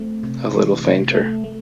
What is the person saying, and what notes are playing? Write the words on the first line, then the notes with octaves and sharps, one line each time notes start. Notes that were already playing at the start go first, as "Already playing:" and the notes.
A little fainter.
Already playing: A3 C4
C3
E3
C3
A3
A3